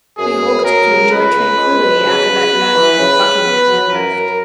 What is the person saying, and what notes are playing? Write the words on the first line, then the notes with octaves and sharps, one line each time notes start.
"We hoped to enjoy tranquillity after that madman Buckingham had left."
F#2 G#4
F#2
F#3 A#4
C#3
C#2 B4
C#2
G#3
B2
C#3
C#3
B3
E3
C#3
C#3
B3
F#3
F#2 A#4
F#2